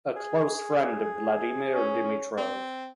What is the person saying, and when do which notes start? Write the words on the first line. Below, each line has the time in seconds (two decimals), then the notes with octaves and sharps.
A close friend of Vladimir Dimitrov.
0.16 G#4
1.73 C#4
2.37 C4